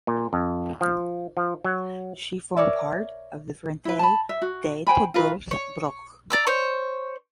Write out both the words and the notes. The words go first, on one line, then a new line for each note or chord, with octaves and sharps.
She formed part of the Frente de Todos bloc.
A#2
F2
F3
F3
F#3
A#4 C#5 D5 E5
E4 B4
A5 B5
E5
F#4
C5 G5 G#5 B5
F4 A#4 B4
C#5
D5 A#5 E6
C5 C#5